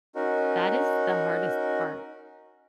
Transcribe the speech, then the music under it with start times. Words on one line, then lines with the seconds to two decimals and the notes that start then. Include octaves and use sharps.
That is the hardest part.
0.15 C#4 D#4 F#4 A#4